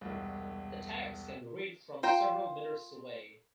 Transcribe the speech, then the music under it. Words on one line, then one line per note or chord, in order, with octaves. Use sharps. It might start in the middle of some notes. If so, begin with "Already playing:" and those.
The tags can be read from several meters away.
E1 C2
F4 C5 G5 A#5